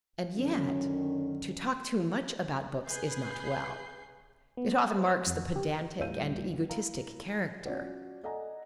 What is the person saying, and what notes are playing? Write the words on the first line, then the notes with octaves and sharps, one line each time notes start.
And yet, to talk too much about books is not well; it often marks the pedantic and egotistic character.
F#2 D3 D#3 C#4
G#4 B4 G6 C7
B3
G#5
C5
F2
G4
D#1 A1 G3 F5 G6 D#7
E4 A#4 F5 A#5
F#3 C#4 F4 C#5 D5 F#5
A4 D5 D#5 F#5 G#5 A#5